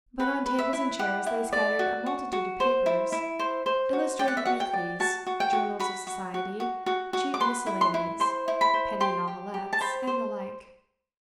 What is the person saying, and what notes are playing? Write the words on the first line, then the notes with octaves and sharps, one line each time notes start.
But on tables and chairs lay scattered a multitude of papers: illustrated weeklies, journals of society, cheap miscellanies, penny novelettes, and the like.
B4 F#5
B4
E5
E4
G4 F#5
E4
D5
F#4
F#4
F#4
C5
E4
E4
C5
C5
F#4
D5 G5
F#5
E5
F#4 F#5
G5
D5
F#4 A5
F#4
G5
F#4
F#4 B5
F#4
F#4
F#4
F#4
F#4
D6
B4 C6
E4
C6
E4
C5 C6
E4
B5
C5
G4 C6
G4
G4
A5
C5 B5
C5